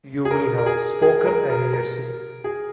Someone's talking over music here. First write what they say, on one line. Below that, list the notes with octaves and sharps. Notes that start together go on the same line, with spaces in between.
You will have spoken a heresy.
G#4
A#4
A#4
G#4
G#4
A#4
A#4
A#4
G#4